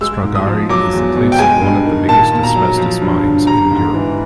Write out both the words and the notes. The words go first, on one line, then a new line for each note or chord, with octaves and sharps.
Stragari is the place of one of the biggest asbestos mines in Europe.
G#3 E6
G#2
D#6
F3
F#3 D6
E2
B2
G5
G#3 G#5
G2
D#3
A#2 A5
A#2
A#5
F#3
F3
G2
D3
G3 A#5
G#2
E3